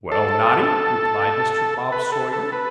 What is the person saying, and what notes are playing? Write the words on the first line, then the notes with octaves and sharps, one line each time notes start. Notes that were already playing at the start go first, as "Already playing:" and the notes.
'Well, Noddy,' replied Mr. Bob Sawyer.
A4
B4
A4
A4
B4